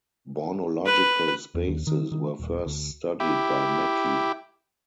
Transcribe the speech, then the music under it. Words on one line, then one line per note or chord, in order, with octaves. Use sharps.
Bornological spaces were first studied by Mackey.
B4
E2
D#2
D#3
D#3
D#1
D2
E4 G4